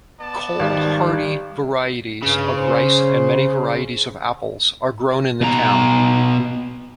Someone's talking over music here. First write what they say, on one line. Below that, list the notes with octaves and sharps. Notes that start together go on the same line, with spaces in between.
Cold-hardy varieties of rice and many varieties of apples are grown in the town.
B3 D5 A5
G#1 D#3 G3
G2 C#3
C5
B2 A#5